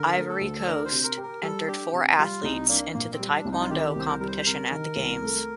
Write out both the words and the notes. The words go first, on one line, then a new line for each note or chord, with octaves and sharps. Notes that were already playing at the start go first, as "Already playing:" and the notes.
Ivory Coast entered four athletes into the taekwondo competition at the Games.
Already playing: D3 A#4
A3
A4
D2
A4
D4 A#4
C5
C3
A#4
G4
A#4
G3 A4
D4 G4
C3
G3 F4
C2 D#4
A#3 D4
A#2 A#3
C4
G3
D4
C2
D#4
F4
D#3 G4
G4
C2 C5
A#4
G3 A#4
C5
C3 A#4
D#3
C2
A3